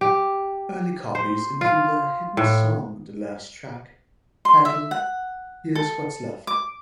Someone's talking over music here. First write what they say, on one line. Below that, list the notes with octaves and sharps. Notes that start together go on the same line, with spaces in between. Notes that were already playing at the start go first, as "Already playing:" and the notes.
Early copies included a hidden song on the last track, titled Here's What's Left.
G4
C5
F4
A2
C6
E5
F#5
A4
D6